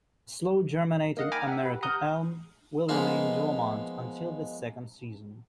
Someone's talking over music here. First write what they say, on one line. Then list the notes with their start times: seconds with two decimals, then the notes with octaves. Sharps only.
Slow-germinating American Elm will remain dormant until the second season.
1.17 A#3 D#4 D#5 F5 F#5
1.32 G5 G#5 A#5 B5 D6 F6
1.48 E5 F#5
1.63 G4 B4
1.82 F#5 A#5 D#6 F6 G6
2.89 F3 G#3 A#3 B3 D#4 F4